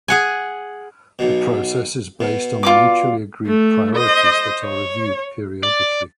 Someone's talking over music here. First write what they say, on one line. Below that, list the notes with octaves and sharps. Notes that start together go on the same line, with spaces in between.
The process is based on mutually agreed priorities that are reviewed periodically.
G#4 F#5 G#5
B1 B2
B2
F4 D5 D6
A3
C5 D#5
C#5
D5